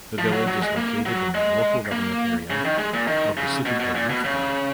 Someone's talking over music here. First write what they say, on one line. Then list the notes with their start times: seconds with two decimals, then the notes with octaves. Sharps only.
The village is located in the local government area of the City of Lithgow.
0.18 F3
0.32 F#3
0.47 F#3
0.62 G#3
0.76 A#3
1.06 F#3
1.34 G#3
1.92 A#3
2.50 C#3
2.65 D#3
2.78 G#3
2.94 A#2
3.07 D#3
3.37 C#3
3.66 B2
3.80 B2
3.95 A#2
4.10 B2
4.24 C#3